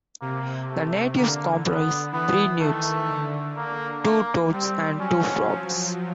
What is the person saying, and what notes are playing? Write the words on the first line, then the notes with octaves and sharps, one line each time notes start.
The natives comprise three newts, two toads and two frogs.
C3 A#3
A3
D3 A#3
B3
E3 B3
D#3 A3
D3
A#3
A#3
G3 C4
F#3 C#4
F3